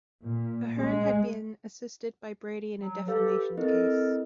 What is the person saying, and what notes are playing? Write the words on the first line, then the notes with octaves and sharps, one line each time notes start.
Ahern had been assisted by Brady in a defamation case.
A#2
G#3
F#3
G4 A4 B4 F5
C4 E4 A4 A#4 D#5